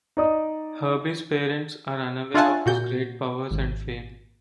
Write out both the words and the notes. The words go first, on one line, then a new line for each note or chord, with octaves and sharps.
Herbie's parents are unaware of his great powers and fame.
D#4 D5 D#6
D4 F4 E5 F#5 G#5 A5
A#2 F#4 G6
G#1